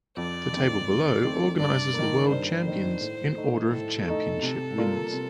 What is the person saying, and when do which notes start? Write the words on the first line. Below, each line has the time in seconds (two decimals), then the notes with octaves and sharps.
The table below organises the world champions in order of championship wins.
0.17 F2 D5
0.52 D#3 A3 C4
0.87 F2
1.24 D#3 A3 C4
1.59 G2 D5
1.94 D#3 A#3
2.29 G2 C5
2.65 D#3 A#3
3.00 A2
3.36 A3 D#4
3.71 A2 A4
4.07 A3 D#4
4.42 C3
4.77 G3 A#3 F4
5.13 C3